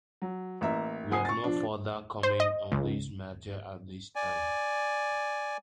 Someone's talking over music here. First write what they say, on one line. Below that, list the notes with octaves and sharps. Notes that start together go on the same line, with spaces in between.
We have no further comment on this matter at this time.
F#3
A1 A#3 E5 A#5
F#1 F#5 G#5 D#6 C7
C#6 A6
F3 D4
C5
D#5
C#2
D5 G#5